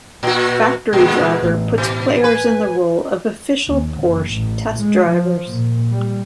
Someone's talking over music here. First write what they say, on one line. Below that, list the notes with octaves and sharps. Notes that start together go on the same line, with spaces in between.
Factory Driver puts players in the role of official Porsche test drivers.
A#2 F#4
A#2 D3 G#3 B3
A1
B2
B4 G#5
D#2
F#1
A1
G#3
F3
A#2
G3